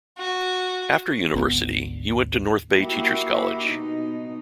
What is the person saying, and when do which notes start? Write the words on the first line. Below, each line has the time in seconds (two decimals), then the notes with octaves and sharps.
After university, he went to North Bay Teacher's College.
0.18 F#4
1.34 G#1 D2 B3
2.76 A#3 E4 F#4 G4
3.65 B2 D#4